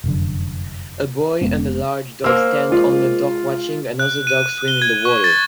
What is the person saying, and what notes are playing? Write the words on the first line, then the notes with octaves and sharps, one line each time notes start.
A boy and a large dog stand on a dock watching another dog swim in the water.
F1 F#2 D3
F1 G#3 B3 C#4
A#3 C5 E6
G#3 F4
F#6
D#7
G7
G#6
C#6
A6